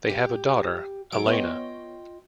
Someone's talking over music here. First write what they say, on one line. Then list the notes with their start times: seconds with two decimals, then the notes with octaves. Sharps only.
They have a daughter, Elena.
0.09 G4
1.12 F#3 A4 D7
1.26 B3 F4 C#5 D#5 G5